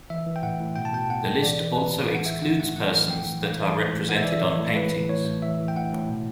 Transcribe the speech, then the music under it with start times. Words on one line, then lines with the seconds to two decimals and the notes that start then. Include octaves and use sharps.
The list also excludes persons that are represented on paintings.
0.10 E3 E5
0.26 E3
0.36 G5
0.43 A2 F#5
0.60 A2
0.76 B2 G5
0.85 A5
0.93 B2 G5
1.09 B2 F#5
1.26 B2
1.42 E3 D5
1.59 E3
1.76 A2 B4
1.93 A2
2.10 E3
2.15 F#5
2.26 E3 E5
2.43 A2 F#5
2.60 A2 F#5
2.76 E3 F#5
2.93 E3
3.10 A2 G5
3.26 A2
3.42 E3
3.59 E3
3.77 A2
3.92 A2
4.09 E3 F#5
4.17 E5
4.24 E3 D5
4.33 E5
4.42 A2 C#5
4.59 A2
4.75 E3 B4
4.92 E3
5.09 A2 C#5
5.25 A2
5.42 E3 E5
5.60 E3
5.68 G5
5.76 A2 F#5
5.93 A2
6.09 B2